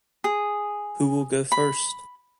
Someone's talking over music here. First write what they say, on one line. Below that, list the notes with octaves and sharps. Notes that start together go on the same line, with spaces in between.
Who will go first?
G#4
B5